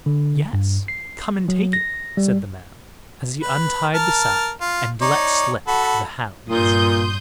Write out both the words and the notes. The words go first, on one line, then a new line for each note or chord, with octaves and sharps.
'Yes, come and take it', said the man, as he untied the sack and let slip the hounds.
D3
G2
C7
F#3
A#6
G3
B4
A#4 A5 F6
F4
D#4 C#5 D5
F#4 A4 B5
G2 A#2 C6 D#6 G6